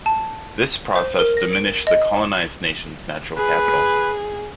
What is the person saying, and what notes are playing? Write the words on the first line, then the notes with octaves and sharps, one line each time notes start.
This process diminished the colonised nation's natural capital.
A5
C5
A#4
A#6
D7
D#5
G#4 B4